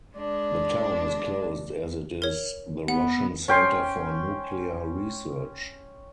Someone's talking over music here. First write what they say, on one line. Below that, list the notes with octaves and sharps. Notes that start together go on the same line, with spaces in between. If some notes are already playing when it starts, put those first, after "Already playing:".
The town is closed as it is the Russian center for nuclear research.
G#3 D4
A#4 C#5
B3 F#5
C#4 G5 C6